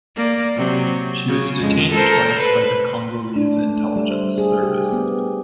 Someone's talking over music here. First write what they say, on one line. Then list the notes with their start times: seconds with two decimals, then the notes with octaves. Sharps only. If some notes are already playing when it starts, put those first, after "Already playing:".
She was detained twice by the Congolese Intelligence Service.
0.15 A#3 D5
0.56 C3 F#3
1.28 C#3
1.59 F2 G#3
1.93 A4 A#4 C5
2.39 B4
3.36 D4
3.57 A3
3.77 A3
3.96 G3
4.11 C5
4.38 G#4
4.63 G4
4.93 B3